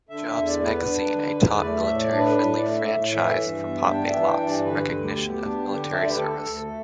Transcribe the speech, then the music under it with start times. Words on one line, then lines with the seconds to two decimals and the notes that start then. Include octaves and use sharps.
Jobs Magazine a top military friendly franchise for Pop-A-Lock's recognition of military service.
0.09 D3 E5
0.28 E5
0.35 E2
0.47 D5
0.60 B3
0.66 B4
0.85 D4
1.10 D3
1.35 E2
1.62 A3 D5
1.81 E5
1.87 A2
1.99 D5
2.13 D4
2.18 B4
2.37 A2 B4
2.57 D5
2.62 A3
2.76 E5
2.88 A2
3.13 E3 E5
3.39 G2
3.64 B3
3.89 D4 G5
4.05 D5
4.09 E5
4.15 E3
4.28 G5
4.40 G2
4.46 D5
4.65 D3 B4
4.91 D2
5.04 G4
5.16 B3
5.42 D4
5.67 D3
5.92 D2 E5
6.01 D5
6.09 B4
6.18 D3 A4
6.43 D2
6.55 A4
6.68 A3